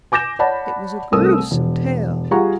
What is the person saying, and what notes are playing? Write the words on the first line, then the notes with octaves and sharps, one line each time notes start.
It was a gruesome tale!
G#5 D6 G6 A#6 E7
C#5 D5 F#5 A5 B5
C2 A3 C4 A#4 D#6 E6
E1
G3 F4 G#4 F#5 A#5 C#6